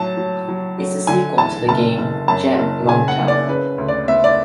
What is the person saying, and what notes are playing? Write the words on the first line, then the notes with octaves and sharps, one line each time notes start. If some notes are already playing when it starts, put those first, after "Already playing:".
It is the sequel to the game "Jet Moto".
Already playing: A2 F#3 A5
F#3
F#3
F#3
D3 G#5
E2 A5
F#1 A5
F#1
F#2 A5
F#1
C#3 G#5
F#5
F#1
D5
C#3 B4
D2
D5
B3 E5
D5